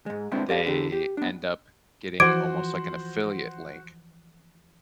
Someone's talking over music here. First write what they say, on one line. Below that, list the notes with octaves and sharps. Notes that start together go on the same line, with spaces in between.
they end up getting almost like an affiliate link.
G#2 G#3
G#3 B3 C4 D4 E4
G4 D5 F5
D3 G4
G4
B3 D4
E3 F3 F#4 C5 D6 G#6 D7